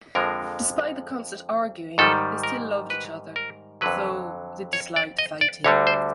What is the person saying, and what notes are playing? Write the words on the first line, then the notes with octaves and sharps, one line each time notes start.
Despite the constant arguing, they still loved each other, though they disliked fighting.
F2 D3 F3 G#3 A#4
G#2 D#3 G3 A4
A#4
B4
A#4
F2 D3 F#3 B4
C#5
D5
D#5
D5
D2 D3 G3 C#5
C5